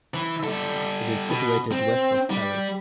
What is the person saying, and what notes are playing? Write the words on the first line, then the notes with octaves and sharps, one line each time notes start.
It is situated west of Paris.
E3
G3 A4
B2
C4
G3